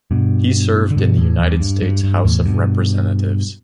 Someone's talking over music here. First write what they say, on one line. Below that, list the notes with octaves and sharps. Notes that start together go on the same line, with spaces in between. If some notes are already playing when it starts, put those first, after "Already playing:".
He served in the United States House of Representatives.
G2 B2
D3
G2 B2
E2 A2
E2
G2
G2
G2
E2 A2
G2 B2